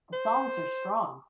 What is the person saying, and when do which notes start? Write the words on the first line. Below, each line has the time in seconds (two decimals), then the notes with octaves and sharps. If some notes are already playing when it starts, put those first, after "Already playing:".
The songs are strong.
0.13 C5